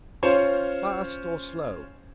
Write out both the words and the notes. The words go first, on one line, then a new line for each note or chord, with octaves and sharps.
"Fast or slow?"
C#4 F4 C5 C#5